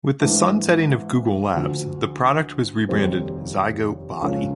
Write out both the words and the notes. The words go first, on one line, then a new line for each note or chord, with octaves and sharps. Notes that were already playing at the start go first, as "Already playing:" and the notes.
With the sun-setting of Google Labs, the product was re-branded Zygote Body.
G#2 E3 A3 D4
D2 D3 F3
F1 D#2 D#3 G3 C4
C#2 C#3 F3 A#3 C#4